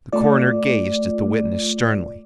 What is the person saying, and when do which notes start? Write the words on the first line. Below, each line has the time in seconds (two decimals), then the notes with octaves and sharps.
The coroner gazed at the witness sternly.
0.13 A3 F4 D5